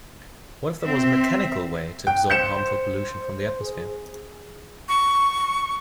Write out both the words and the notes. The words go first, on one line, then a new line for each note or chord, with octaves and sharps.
What if there was a mechanical way to absorb harmful pollution from the atmosphere?
C4 E5
G5
C5 G6 C#7 E7
G#4
C#6